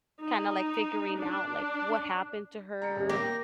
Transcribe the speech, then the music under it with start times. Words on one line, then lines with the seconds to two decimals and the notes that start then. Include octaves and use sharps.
kind of, like, figuring out, like, what happened to her
0.21 D#4
1.18 D4
2.82 A#5 C#7
2.96 D#1 G3
3.09 A#3 G4 A#6